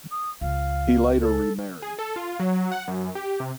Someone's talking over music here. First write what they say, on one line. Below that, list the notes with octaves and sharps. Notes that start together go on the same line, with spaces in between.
He later remarried.
D#6
C#2 F5
A4
G#4
A4
F4
F#3
F#5
F#2
G4
C3